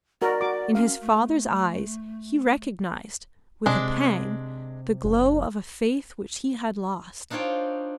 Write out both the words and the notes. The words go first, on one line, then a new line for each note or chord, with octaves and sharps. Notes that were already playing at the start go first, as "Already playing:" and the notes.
In his father's eyes he recognized, with a pang, the glow of a faith which he had lost.
F#4 A#4 D5
F#4 D6
C#4 F5
A3
C3 G#3 D4
F#1
D4 D#4 F4 C5 C#5 G5